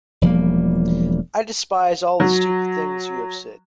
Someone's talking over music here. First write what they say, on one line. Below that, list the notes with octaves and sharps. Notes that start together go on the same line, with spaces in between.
I despise all the stupid things you have said.
E1 F3 G3 A#3
F#3